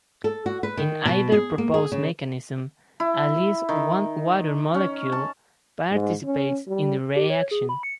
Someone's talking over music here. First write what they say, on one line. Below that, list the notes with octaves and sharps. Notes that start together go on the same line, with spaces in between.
In either proposed mechanism, at least one water molecule participates in the reaction.
A4
F#4
B4
D#3
B2
G#4
A#3
G#4
C#3
E4
D#3
C#4
A5
G#2
C#4
G3
G4
C#5
G#4
B5
C#7